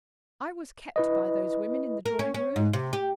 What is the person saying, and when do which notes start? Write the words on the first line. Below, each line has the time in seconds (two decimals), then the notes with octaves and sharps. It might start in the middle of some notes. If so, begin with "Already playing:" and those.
'I was kept by those women in the drawing-room.
0.96 E4 B4 D#5
2.06 A#4
2.19 C#4
2.34 C#4
2.56 G#2
2.73 C3
2.93 G4